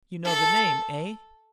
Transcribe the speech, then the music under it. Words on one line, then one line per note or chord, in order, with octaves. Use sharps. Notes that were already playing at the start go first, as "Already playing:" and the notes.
"You know the name, eh?"
A4